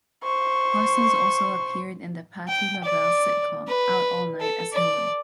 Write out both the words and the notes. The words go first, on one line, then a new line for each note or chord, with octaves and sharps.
Parsons also appeared in the Patti LaBelle sitcom, "Out All Night" as Hilary.
C5 C#6
G5
D5
B4
A4
D5